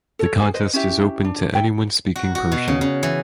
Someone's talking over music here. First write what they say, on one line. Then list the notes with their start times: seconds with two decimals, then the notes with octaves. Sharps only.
The contest is open to anyone speaking Persian.
0.19 A4 C#5
0.40 G#4 G#5
0.54 B4 C5 D#5
0.73 C#4 E4 G4 E5
1.25 D4
1.52 E4 G5
2.16 F#4
2.35 F#4
2.52 B2
2.68 C#3
2.81 C#3
3.03 E3